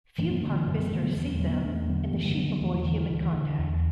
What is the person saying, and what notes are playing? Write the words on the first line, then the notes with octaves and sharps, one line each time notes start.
Few park visitors see them, and the sheep avoid human contact.
F#2 E3 A3
F#3 B3
D3 A3 D4
E3
F#2 D3 F#3
F#3 B3
D3 E3 A3
F#3 B3
E2
F#3 B3
D3 F#3 B3
F#3 B3
E2 A3 D4
D3 F#3 B3
F#2 E3 A3
D3 F#3
D3 F#3 B3
F#3 B3
E2 E3 A3
E3
D3 E3
E3
D2 E3
D3
E2